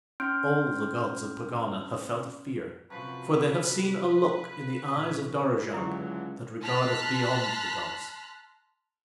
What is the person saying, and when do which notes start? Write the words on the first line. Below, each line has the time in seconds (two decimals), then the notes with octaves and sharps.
All the gods of Pegana have felt a fear, for they have seen a look in the eyes of Dorozhand that regardeth beyond the gods.
0.20 C#4 C6 F6 G6 D7
2.90 F#2 C3 F3 F#3 B4
4.92 A#1 E3 F3 C#4 D4 A#4
5.74 C#2 D3 E3 F#3 E4 G4
6.62 A5 A#5 C6 F6 F#6 B6